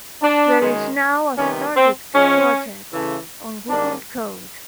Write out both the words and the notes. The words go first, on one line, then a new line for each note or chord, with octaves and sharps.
There is now a StarDict project on Google Code.
D4
F#2 D#3 G#3
C3 D#3 G3 B3 C#4
C4
G#2 F3 G#3 C#4
C#3 E3 A3
G#2 D#3 G3 A#3 D4